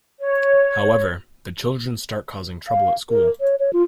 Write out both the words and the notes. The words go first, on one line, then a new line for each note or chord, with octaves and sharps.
However, the children start causing trouble at school.
C#5
F5
A#4
C#5
C#5
F4